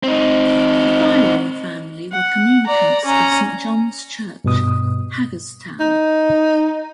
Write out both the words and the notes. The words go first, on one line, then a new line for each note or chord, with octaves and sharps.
The Byron family were communicants of Saint John's Church, Hagerstown.
C4 D#4
F#5
D5 A#5
C#4 A#5
G2 B2 D#6
D#4